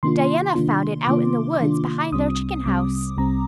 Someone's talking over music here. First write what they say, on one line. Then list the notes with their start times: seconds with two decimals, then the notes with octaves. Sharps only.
Diana found it out in the woods behind their chicken house.
0.03 C3 D#3 A#3 D4 F4 C6
0.55 C3 D#3 A#3 D4 F4
1.07 C3 D#3 A#3 D4 F4 D6
1.60 C3 D#3 A#3 D4 F4
2.12 C2 C3 G3 C4 D#6
2.66 C2 C3 G3 C4 D6
3.17 C2 C3 G3 C4 A#5